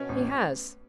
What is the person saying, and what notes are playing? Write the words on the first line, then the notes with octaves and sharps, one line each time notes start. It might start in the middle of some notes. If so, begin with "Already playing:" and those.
"He has."
Already playing: B2 C#4
A1